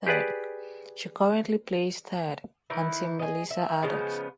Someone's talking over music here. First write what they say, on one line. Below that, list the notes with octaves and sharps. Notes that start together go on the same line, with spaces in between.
She currently plays third on Team Melissa Adams.
G4 G#4 B4 D5
D#3 E3 E4
G#4 D#5
E5
C#3 F3 G#3 B3